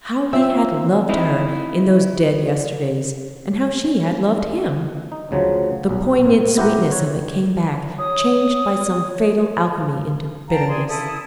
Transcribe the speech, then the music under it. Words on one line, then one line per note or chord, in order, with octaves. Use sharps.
How he had loved her, in those dead yesterdays, and how she had loved him! The poignant sweetness of it came back, changed by some fatal alchemy into bitterness.
C4 C#4 F4 E5 C6
C4 D#4 E4
C#4
D#4
D2 C#3 F3 F#3
B1
A2
B3 E4 G4 C5 F#5 A#5
C#5
C#5 D#6
F5 G5 A5 A#5
G#4 D5 C6
E4 A4 A5 D#6